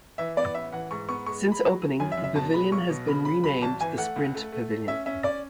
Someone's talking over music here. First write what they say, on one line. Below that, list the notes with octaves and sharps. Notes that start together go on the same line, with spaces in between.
Since opening the Pavilion has been renamed the Sprint Pavilion.
E3 E5
B3 D5
A1 E5
E3 F#5
G#2 C#6
B3 C#6
G#3 C#6
G#3
B5
F#3
F#3
F#2 G#5
E5
F#2
E5
B2 A5
G#3 B5
B1 C#6
B2
C#3 B5
C#3 B5
F#3 B5
G#1 A5
E3 G#5
A3 F#5
C#2
A3
A3
A3
C#4 E5
C#4 E5
C#4 D5